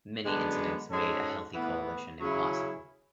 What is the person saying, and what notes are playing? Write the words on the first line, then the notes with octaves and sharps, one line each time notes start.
Many incidents made a healthy coalition impossible.
F#2 D3 G#3 B3 D4
G#2 G#3 C#4 F#4 A4
A2 E3 B3
C#3 F#3 C#4 E4 G#4